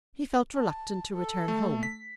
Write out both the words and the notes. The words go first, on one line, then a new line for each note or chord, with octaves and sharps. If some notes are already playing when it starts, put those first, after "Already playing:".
He felt reluctant to return home.
A5
A4
A3
B6